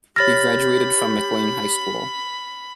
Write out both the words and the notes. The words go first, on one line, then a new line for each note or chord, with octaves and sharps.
He graduated from McLane High School.
G4 C#5 B5 F6 A6 A#6